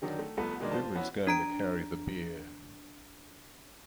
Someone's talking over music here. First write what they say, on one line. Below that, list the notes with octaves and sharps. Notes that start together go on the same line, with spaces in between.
Who is going to carry the beer?
D3 D#3 F#3 D4 D#4
A3
C2 F3 A3 B3
B2 D#3 G#3 A#3 D4
F4 C5 A5
B3 C#4 E4 F#4
D4 A#5 D7